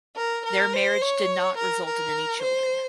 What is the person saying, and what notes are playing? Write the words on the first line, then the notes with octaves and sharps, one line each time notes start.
Their marriage did not result in any children.
A#4
A#4
C5
C#5
A#4
A#4
C5